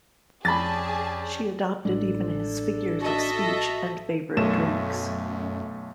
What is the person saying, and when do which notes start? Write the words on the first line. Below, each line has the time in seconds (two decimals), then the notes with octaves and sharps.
She adopted even his figures of speech and favorite drinks.
0.45 F2 C#4 G4 G#4 D5 A5 B5 A6
1.85 A1 G3 G#3 D4 A4
3.00 F#4 A4 D#5 E5
4.37 B1 F#2 A3 E7